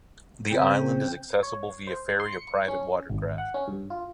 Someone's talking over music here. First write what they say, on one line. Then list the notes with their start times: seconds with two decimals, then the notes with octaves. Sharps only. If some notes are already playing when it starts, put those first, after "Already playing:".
The island is accessible via ferry or private watercraft.
0.51 C#3 C4 C5
1.43 C#5
1.87 C5
2.20 C6
2.33 C#7
2.68 C#4
3.10 G#1
3.38 F#5
3.54 C#4
3.68 G2
3.90 F4